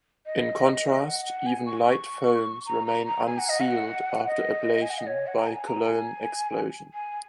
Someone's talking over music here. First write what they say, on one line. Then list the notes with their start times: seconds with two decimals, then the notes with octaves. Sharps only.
In contrast, even light foams remain unsealed after ablation by Coulomb explosion.
0.26 D#5
1.06 F#5
1.26 F#5
1.46 G#5
1.66 C#6
1.90 C#6
2.66 A#5
2.86 A#5
3.07 A#5
3.27 G#5
3.38 F#5
3.49 D#5
3.60 F#5
4.27 D#5
4.81 G#5
4.90 F#5
4.98 D#5
5.07 C#5
5.27 F#5
5.39 A#5
5.47 G#5
5.67 A#5
5.87 G#5
6.94 G#5